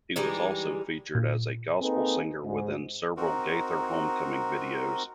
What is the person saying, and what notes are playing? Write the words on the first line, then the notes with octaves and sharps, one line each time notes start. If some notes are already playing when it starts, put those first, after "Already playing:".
He was also featured as a gospel singer within several Gaither Homecoming videos.
E3 G3 G#3 D#4
A#2
A#3 C4 D#4 G#4 A4 B4
G#2
C4 D#4 F#4 A#4